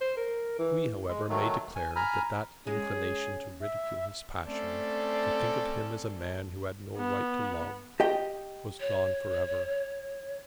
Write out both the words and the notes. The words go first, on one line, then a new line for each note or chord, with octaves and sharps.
We, however, may declare that that inclination to ridicule his passion, to think of him as a man who had no right to love, was gone forever.
C5
A#4
E3
G#3
D#3 F#3 A3
G#5
G#5 A#5 B5 F6
G#3 C#4 G#4
E5
A3 C4 C#4 A4 D5
B3
G4 D#5 G5
C#5